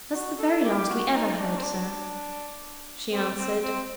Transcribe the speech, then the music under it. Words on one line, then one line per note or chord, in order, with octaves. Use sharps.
"That's the very last we ever heard, sir," she answered.
F#4
A4
G4
G4
F#4
D#4
D4
C4
D4
C4
C4
C4